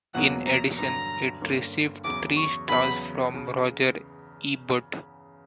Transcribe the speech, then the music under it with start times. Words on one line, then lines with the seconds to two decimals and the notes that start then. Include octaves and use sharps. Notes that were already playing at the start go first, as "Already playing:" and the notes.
In addition, it received three stars from Roger Ebert.
0.14 E2 B2 F#3 A#3 F#5
0.46 A#5
0.78 G2 D3 F#3 A#5
1.41 G2 D3 A#3 C#4
2.04 E2 C#3 F#3 D6
2.36 C#6
2.69 E2 C#3 F#3 B3 B5
3.34 C#3